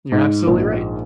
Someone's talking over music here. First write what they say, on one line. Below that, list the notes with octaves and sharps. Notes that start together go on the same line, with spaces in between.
You're absolutely right,
G#2
A#1